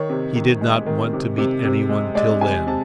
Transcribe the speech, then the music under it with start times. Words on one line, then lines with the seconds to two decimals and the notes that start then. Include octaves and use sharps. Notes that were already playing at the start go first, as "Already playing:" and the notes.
He did not want to meet anyone till then.
Already playing: D#3 C#5
0.10 C3
0.35 D#3
0.61 G#3
0.86 D#3
1.13 C3
1.38 C3
1.65 C3
1.89 G#3
2.15 G#3 D5
2.41 C3 G#5
2.67 C3 A5